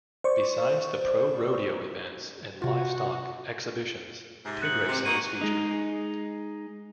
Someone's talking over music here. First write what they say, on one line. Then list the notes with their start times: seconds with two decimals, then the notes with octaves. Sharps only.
Besides the pro rodeo events and livestock exhibitions, pig racing is featured.
0.24 C5 D5 C#6
2.62 C3 F4 F#4
4.45 G#2 C3
4.62 F#6 C#7 F#7
4.87 C3 G#3
5.05 A#3 D#4 F#4 D#7
5.41 G#3 D#4